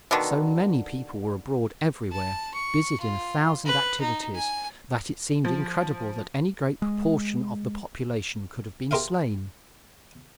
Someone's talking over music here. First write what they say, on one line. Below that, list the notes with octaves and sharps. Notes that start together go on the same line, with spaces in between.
So many people were abroad everywhere, busied in a thousand activities, that it seemed incredible that any great proportion of the population could have been slain.
B2 D3 D#3
A5
C#6
F4
B4
D#4
G#5
F3
G#3
G4 A#4 C5 E5 F5